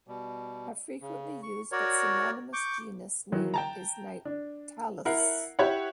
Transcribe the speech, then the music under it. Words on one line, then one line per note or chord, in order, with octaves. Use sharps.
A frequently used but synonymous genus name is "Nyctalis".
B2 G3
C#3
C#6
F#4 A#4 C#5 D5
C#6 D6 G6
D#3 E3 F#3
G5 A5 A#5
D4
E4 A#4 F#5 C7
E4 G4 C#5 E5 F#5